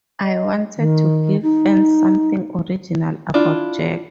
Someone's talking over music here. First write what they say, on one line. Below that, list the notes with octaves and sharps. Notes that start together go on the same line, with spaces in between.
I wanted to give fans something original about Jack.
D#5
D#3
D#4
D4 E4 F4